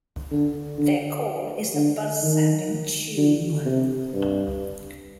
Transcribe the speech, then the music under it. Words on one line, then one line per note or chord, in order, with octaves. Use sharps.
Their call is a buzz-sounding "chew".
D3
D3
D3
D#3
D3
C3
G2